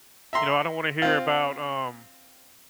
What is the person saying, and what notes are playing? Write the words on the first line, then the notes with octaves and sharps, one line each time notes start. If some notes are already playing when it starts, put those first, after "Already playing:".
you know, I don't wanna hear about, um"
E5 A#5 C6
C4 F4